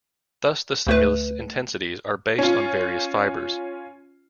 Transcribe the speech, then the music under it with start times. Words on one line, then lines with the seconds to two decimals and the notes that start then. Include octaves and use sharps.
Thus, the stimulus intensities are based on various fibers.
0.87 D2 A3 B4
2.39 C#4 F4